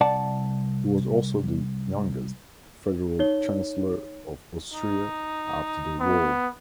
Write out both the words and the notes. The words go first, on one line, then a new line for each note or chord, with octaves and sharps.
He was also the youngest Federal Chancellor of Austria after the war.
C2 D5 F#5 A5
D#4 C#5 G7
D#4
B3